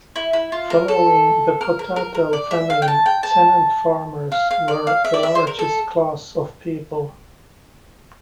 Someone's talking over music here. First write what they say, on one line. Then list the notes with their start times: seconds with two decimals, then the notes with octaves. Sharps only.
Following the Potato Famine tenant farmers were the largest class of people.
0.16 E4
0.33 E4
0.52 F4
0.70 A#4
0.88 A4
1.61 A#4
1.79 A#4
1.96 A#4
2.15 A#4
2.33 D5
2.51 E5
2.70 F5
2.82 G5
2.88 A5
3.06 G5
3.23 A5
4.32 F5
4.51 F5
4.68 D5
4.87 F5
5.05 E5
5.14 D5
5.23 E5
5.35 C5
5.47 A#4
5.59 A4